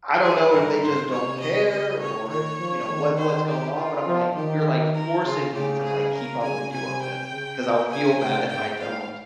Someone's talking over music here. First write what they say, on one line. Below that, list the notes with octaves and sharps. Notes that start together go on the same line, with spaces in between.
I don't know if they just don't care or if you know, what what's going on, but I'm like, "You're, like, forcing me to, like, keep up with you on this 'cause I'll feel bad if I don't."
G#4
G2 A#4
G#2 C5
C3 C#5
D#5
C#3 D#5
C#5
D#3 C#5
F3
D#3
C5
G4
F4
F3
D#3 G4
A#4
C#3 F4
C#3 G4
G#4
A#4
C#3 G#5
C3 G#5
G5
C#3
C#3 G#5
C3 G5
G#2 G5
F5